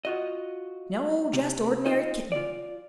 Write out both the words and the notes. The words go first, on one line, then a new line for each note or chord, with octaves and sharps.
"No; just ordinary kitten."
F4 F#4 D#5
C3
D#4 F4 C5 D#5
F4 D5